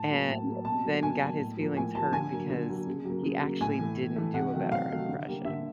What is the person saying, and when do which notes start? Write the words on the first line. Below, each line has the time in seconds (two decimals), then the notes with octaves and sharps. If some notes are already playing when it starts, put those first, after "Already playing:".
and then got his feelings hurt because he actually didn't do a better impression.
Already playing: A2 A5
0.10 F#3 A#3
0.28 A2
0.47 F#3 A#3
0.65 B2 A5
0.84 F#3 A#3
1.02 B2 G#5
1.21 F#3 A#3
1.39 A2
1.57 F3 A#3
1.76 A2 G#5
1.95 F3 A#3 A5
2.12 D3 G#5
2.32 F#3 A#3
2.49 D3
2.69 F#3 A#3
2.87 C#3
3.05 F#3 A#3
3.23 C#3
3.43 F#3 A#3
3.61 A2 G#5
3.79 E3 A3
3.97 A2
4.16 E3 A3
4.34 C3 F#5
4.53 D#3 F#3 A3
4.72 C3 F5
4.90 D#3 F#3 A3
5.09 D3
5.27 G3 A#3
5.45 D3 E5